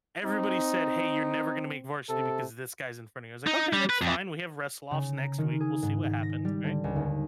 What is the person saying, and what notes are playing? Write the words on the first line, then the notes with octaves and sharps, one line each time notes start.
everybody said, "Hey, you're never gonna make varsity because this guy's in front of you." I was like, "Okay, that's fine, we have wrestle offs next week, we'll see what happens," right?
C4 D#4
C3 A4
D#4
G3
B4
F2
C#3
A#5
D#3
G#4
G#2
G#2
A#6
G3
D3
C#2
D#2